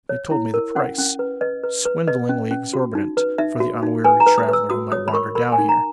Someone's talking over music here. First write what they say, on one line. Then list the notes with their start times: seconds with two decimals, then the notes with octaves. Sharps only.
They told me the price--swindlingly exorbitant for the unwary traveller who might wander down here.
0.09 C#5
0.31 E4
0.54 A#4
0.75 C#4 F#5
0.98 C#4
1.19 B4
1.41 B4 D#5
1.63 B4
1.85 B4
2.07 B4 D#5
2.29 C#4
2.51 C#4
2.73 F#4
2.95 D#4
3.17 B4
3.38 D#4 E5
3.60 F#4
3.83 D#4
4.04 B4 G#5
4.20 A#5
4.26 B4
4.38 D#6
4.48 B4
4.53 E6
4.70 F#4 D#6
4.92 C#5 D#6
5.08 B5
5.13 A#4 C#6
5.35 A#4 B5
5.52 G#5
5.58 D#4
5.69 A#5